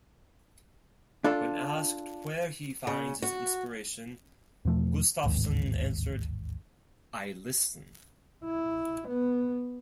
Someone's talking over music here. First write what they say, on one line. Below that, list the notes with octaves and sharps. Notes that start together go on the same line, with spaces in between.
When asked where he finds his inspiration, Gustafsson answered I listen.
D4 F4 A4
C#3
F#4
E2 B2 F3 A3
D1 A1 D#2 G#2
E4
B3